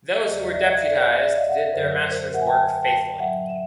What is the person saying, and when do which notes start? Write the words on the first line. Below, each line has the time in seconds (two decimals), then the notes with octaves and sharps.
Those who were deputized did their master's work faithfully.
0.12 E5
0.20 D#5
0.28 E2 C#3 F3 G#3 C5 D5
0.40 C#5 D#5
0.52 D5 E5
0.61 F#5
0.64 D#5 F5
0.82 D5 E5
1.01 C#5 D#5
1.19 D5 E5
1.37 D#5 F5
1.49 E5 F#5
1.74 F#2 D3 F#3 A#4 C5
2.11 A#4 C5
2.22 A#4 C5
2.34 E5 F#5
2.42 G#5
2.47 G5 A5
2.83 G5 A5
3.19 A2 F#3 E5 F#5
3.50 E5